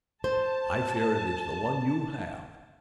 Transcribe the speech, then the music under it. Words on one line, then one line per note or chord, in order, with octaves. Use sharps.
I fear it is the one you have.
C5 A5